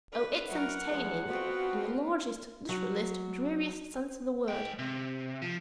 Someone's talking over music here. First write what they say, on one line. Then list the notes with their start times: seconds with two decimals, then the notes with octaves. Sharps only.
Oh, it's 'entertaining' in the largest, literalist, dreariest sense of the word.
0.12 D3 B4
0.49 F#3 E4 A#4 F#5
0.90 E2 F3 G#3
1.27 F2 B3 C4 F4 F#4
1.61 G2
2.69 F#3
4.48 G#3 G5
4.79 C3
5.42 F3